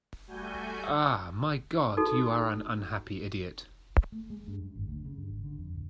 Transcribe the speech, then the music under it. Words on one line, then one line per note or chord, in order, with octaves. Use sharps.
Ah, my God, you are an unhappy idiot!
G3 A3 F#4 G#5 G6
D#4 F#4 A4
A3
G#3
G2
F#2
G#1
D2
C#3
G2
G#1
D3
F2
D1